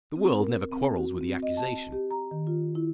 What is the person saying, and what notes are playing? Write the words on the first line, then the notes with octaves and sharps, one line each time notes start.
The world never quarrels with the accusation.
C4
A#4
C4
F#4
C4
D#5
A5
G4
A#5
D#3
F4
E4